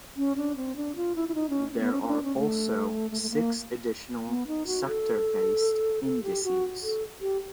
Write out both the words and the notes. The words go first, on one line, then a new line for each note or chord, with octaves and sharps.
There are also six additional sector-based indices.
C#4
D4
C4
D4
F4
E4
E4
D#4
C#4
B3
C#4
C#4
D4
C#4
A3
A3
A3
A#3
B3
D#4
F#4
A4
A4
G4
F#4
A4
G4